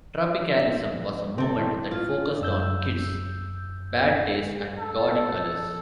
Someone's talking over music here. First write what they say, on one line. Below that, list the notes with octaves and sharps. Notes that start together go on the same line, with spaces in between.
Tropicalism was a movement that focused on kitsch, bad taste and gaudy colors.
C3 C4 A4
A1
F4
F#2 E6 G6
A4